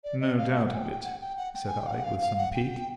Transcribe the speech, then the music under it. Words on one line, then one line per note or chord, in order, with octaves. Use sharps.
"No doubt of it," said I, with some pique.
D5
D#5
F5
F#5
F#5
G#5
G5
G5
F#5
G5
F#5
G5
G#5
G5
F5
F#5
F5
F5
F#5
G5